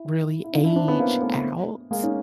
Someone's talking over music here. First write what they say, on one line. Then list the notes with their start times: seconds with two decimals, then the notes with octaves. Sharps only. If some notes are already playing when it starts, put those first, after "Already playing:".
really age out.
Already playing: E4
0.44 E4
0.53 D#4 F4
0.64 D4 E4
0.76 C4 D4
0.88 B3 C#4
0.99 A#3 C4
1.22 A3 B3
1.91 G#3 A#3
2.03 C#4 D#4